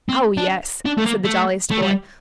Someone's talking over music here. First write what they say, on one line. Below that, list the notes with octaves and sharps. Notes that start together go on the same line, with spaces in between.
"Oh, yes," said the jolliest boy.
C4
D4
D4
A3
A#3
A3
A3
G3